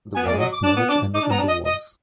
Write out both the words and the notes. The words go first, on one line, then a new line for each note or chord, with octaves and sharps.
DeWine's marriage ended in divorce.
B3 G#5
A#3 D5
G#3
F#3 D#5
D6
D4 D6
B3
D4 D6
D#4 D6
D4
B3 A#5
D4
D#5
D#5